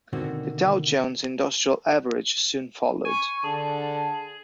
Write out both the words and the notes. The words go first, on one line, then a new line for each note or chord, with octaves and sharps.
The Dow Jones Industrial Average soon followed.
B2 D3 D#3 A#3 C4 F#4
G#5 C#6
D3 G#4 A5